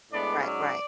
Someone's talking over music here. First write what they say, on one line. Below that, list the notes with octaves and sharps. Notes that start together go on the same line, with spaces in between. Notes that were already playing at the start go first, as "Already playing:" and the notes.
Right, right.
A2 G#3 B3 D4 D5
G#2 F#3 C#4 D5